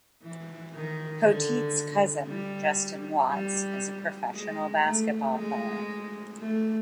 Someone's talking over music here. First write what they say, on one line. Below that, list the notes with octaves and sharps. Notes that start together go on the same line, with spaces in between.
Poteat's cousin, Justin Watts, is professional basketball player.
E3
D#3
D3
G3
G3
G#3
A3
G#3
A3